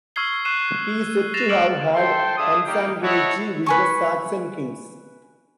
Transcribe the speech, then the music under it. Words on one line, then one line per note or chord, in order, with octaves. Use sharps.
He is said to have had consanguinity with the Saxon kings.
C#6 E6 F6 G#6 C7 G7
C#6 F#6 C7 D#7 E7
F#6 A6 A#6 C7 E7 F7
D6 E6 F6 C#7 D7 F#7
A4 C5 G5 C6
D4 G#4 E5 F5 D#6
G3 A#3 D#4 G4 G5
E4 A4 C#5 D#5 E5 F#5
B4 G#5 C#6